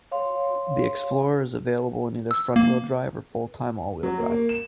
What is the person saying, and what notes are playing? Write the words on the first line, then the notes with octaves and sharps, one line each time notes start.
The Explorer is available in either front-wheel drive or full-time all-wheel drive.
C#5 F5 C6
E6
A#3
F#3
A#3
A#3
E7